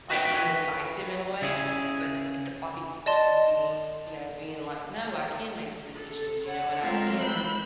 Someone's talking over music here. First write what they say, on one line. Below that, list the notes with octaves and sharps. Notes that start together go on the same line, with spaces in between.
like, indecisive, in a way, so it's the fight toward being, you know being like, "No, I can make decisions, you know, and I can
F#4 B4 E5 G5
C#3 E4 G#4
D5 D#5 A5 C6
A4
C#5 F#5
G#3 A3 C4 F4 A#4 E5
B5 E6 F#6 G6